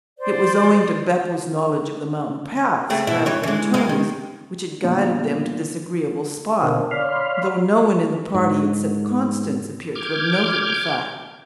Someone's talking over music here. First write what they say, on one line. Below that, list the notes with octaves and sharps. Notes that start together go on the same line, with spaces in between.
It was owing to Beppo's knowledge of the mountain paths rather than Tony's which had guided them to this agreeable spot; though no one in the party except Constance appeared to have noted the fact.
C5 D5
C#3 A3 C4
B2 E4
E3 C#5
E3 G#3
C3 G#3 A#3
D#3
G1 A#2 F4
B2 D3 A#4 C5 D#5 F5
C#5 D5 F5 B5 C6 F6
G#2
D6 F6 G6 G#6